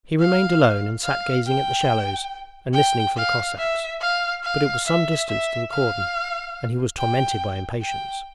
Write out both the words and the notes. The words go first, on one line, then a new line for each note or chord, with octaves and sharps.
He remained alone and sat gazing at the shallows and listening for the Cossacks; but it was some distance to the cordon and he was tormented by impatience.
F5
F5
G5
G5
F5
E5
F5
F5
E5
E5
F5
G5
G5